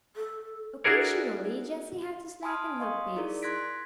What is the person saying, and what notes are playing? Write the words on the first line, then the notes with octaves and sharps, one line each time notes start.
Occasionally Jessie had to slacken her pace.
A4
D4 E4 F#4 G#4 A#4 C#5
G#5 A5 C6 D#6 F6 G#6
D#5 F5 C6 C#6 D#6
D#4 E4 G#4 A#4 D5
C6 F#6 G#6 A#6 B6 D7